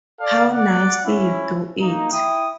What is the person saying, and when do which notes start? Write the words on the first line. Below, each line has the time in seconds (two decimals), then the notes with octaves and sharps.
How nicely you do it!
0.20 A4 D5 F5
0.51 D5 F#5
1.05 C#4 E4
1.81 A#3 D#4
2.12 E4 G5 D#6